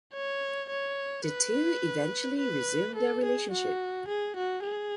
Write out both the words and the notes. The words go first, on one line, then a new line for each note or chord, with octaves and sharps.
The two eventually resumed their relationship.
C#5
C#5
B4
B4
A4
G#4
F#4
G#4
F#4
G#4